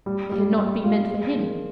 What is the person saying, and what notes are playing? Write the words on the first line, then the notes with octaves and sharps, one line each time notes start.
They had not been meant for him.
G3
G3
G3
F4
G#4
D#3